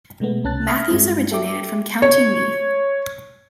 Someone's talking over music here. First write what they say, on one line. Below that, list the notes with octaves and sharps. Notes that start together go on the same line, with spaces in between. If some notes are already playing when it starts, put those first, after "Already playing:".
Matthews originated from County Meath.
B2 G#3 A3 B3
C2 C#4 A5 F#6 A6
E5 D#6 F6 G#6 A#6 B6
G2 G#3 C4
A4 E5 G5 D6
C#5